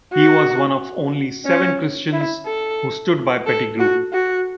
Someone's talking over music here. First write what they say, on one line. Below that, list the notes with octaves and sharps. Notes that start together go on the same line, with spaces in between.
He was one of only seven Christians who stood by Pettigrew.
F#4
C#4
E4
A4
A4
F#4
F#4